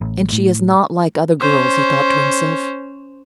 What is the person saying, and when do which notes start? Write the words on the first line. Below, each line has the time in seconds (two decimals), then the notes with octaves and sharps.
"And she is not like other girls," he thought to himself.
0.01 A1
0.32 A2
1.40 C#4 C5